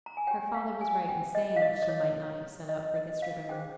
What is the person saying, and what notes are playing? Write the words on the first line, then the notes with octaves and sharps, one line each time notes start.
Her father was right in saying that she might not have set out for Yesterbarrow.
A#5
G#5
G4 C#5 G5
F5
G#5
G5
D#5
F5
D#5
D#5
C#5
D#5
D#5
F5
C#4 G#4 C5 G5